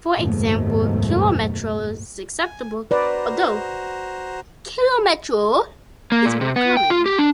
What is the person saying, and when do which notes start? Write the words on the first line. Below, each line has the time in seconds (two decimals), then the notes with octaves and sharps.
For example, "kilometro" is acceptable, although "kilometro" is more common.
0.17 F#1 D#2 G#2 B2 A3
2.39 G#5
2.91 F#4 B4 C5 D5 A#5
6.12 A#3
6.25 A#2
6.41 C3
6.56 B3
6.77 G5
6.90 F4
7.06 G4
7.18 D4